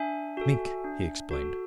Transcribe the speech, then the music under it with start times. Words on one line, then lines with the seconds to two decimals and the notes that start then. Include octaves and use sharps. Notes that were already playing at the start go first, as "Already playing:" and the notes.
"Mink!" he explained.
Already playing: D4 E5 G#5
0.37 F#4 A4
0.84 D4
1.31 F#4 A4